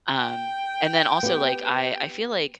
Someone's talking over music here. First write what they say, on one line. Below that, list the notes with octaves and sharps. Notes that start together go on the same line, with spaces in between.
Um, and then also, like, I I feel like
G5
B3 G4